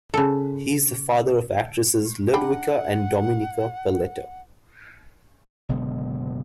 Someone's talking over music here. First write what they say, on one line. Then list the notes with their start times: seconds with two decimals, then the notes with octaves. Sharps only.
He is the father of actresses Ludwika and Dominika Paleta.
0.14 C#3 A4
2.34 D4 F#5 G5 B5
5.69 F#1 B2 D3 G#3